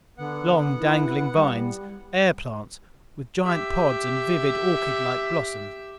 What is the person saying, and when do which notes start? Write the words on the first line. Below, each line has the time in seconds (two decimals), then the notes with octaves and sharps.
Long, dangling vines; air plants, with giant pods and vivid orchidlike blossoms.
0.18 D3 B3 F#5
0.79 E4
1.35 G3
3.45 G4 E5